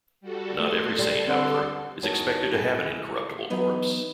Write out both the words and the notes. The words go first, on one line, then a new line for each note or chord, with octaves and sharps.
Not every saint, however, is expected to have an incorruptible corpse.
G3 F#4 A4
A3 A4 C6
G3
D3 C4 B4 F#6
E2 D#4 F#4 A#4 C#5 A5
G3 E4 G#4 A4
E3 F#3 B3 D#4